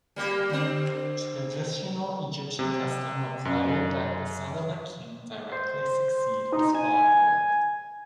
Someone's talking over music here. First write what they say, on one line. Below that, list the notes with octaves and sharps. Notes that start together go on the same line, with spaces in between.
Traditional Egyptian custom required that the son of a king directly succeed his father.
G3 A#3 G4
D3 C4
C3
F#2
C5
D#4
G#5